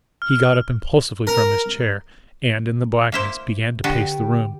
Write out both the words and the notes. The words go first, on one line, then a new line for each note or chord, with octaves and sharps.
He got up impulsively from his chair, and, in the blackness, began to pace the room.
F6
A#4
A#3 E4 C5
D3 B3 F#4 G4